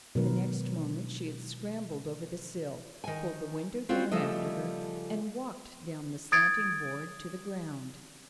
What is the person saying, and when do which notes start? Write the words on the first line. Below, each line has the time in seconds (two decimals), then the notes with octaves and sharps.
The next moment she had scrambled over the sill, pulled the window down after her, and walked down the slanting board to the ground.
0.15 B2 D#3 F#3 G#3 A#4 B4
3.04 D#3 G#5
3.89 C4 C#4 F4 F#4
4.12 C#3 F3 G3 A3 A4 D#5
6.32 D#6 G#6 A6 D7